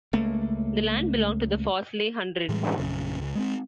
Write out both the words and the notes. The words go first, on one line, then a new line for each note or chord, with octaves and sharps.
The land belonged to the Fawsley Hundred.
C#2 A3 A#3
A2 E3 G3 G#3
A#1 F#2 C#3
C#2
G#3 B3 C4